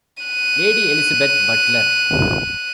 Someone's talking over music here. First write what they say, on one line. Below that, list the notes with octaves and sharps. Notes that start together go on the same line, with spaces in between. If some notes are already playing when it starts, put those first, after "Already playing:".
Lady Elizabeth Butler.
F#6 D#7